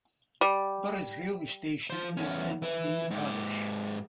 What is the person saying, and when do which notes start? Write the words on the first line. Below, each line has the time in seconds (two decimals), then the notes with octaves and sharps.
Bures railway station is in the parish.
0.41 G3
1.90 F3 C5
2.17 E2 C#4
2.62 E3
3.11 G#2 G4